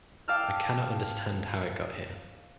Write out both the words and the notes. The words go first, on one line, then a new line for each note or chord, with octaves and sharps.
I cannot understand how it got here.
F5 G5 A5 D6 E6 F6